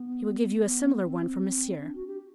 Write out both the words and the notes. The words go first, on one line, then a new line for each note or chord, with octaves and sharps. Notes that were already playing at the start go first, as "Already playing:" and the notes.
"He will give you a similar one for Monsieur."
Already playing: B3
B3
C4
D4
F#4
G4